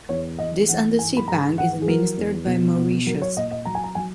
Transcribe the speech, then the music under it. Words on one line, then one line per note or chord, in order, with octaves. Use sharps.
This undersea bank is administered by Mauritius.
E2 C#5
E2 D#5
E3 F#5
G#2 G#5
B5
G#2 A#5
E3 F#5
G#4
F#3 A#4
E2
B2
B2
F#3 A#4
C#5
A#2 D#5
D#5
F#3 A#5
G#5
A#5
F#3 G#5